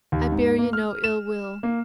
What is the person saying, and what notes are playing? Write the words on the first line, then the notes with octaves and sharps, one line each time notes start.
I bear you no ill-will.
D#2
G#2
A#3
F6
E7
A#3